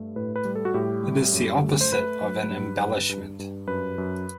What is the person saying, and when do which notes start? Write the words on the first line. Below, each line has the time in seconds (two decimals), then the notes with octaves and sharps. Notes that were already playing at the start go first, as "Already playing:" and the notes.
It is the opposite of an embellishment.
Already playing: G2 A3
0.16 A2 B4
0.36 B4
0.45 G3
0.55 A4
0.65 F#4
0.74 A2 G4
1.03 G3
1.33 F#2
1.63 A3
1.81 C5
1.92 A3 B4
2.21 F#3
2.50 G2
2.80 G2
3.09 G2
3.39 G2
3.67 F#2 B4
3.98 F#2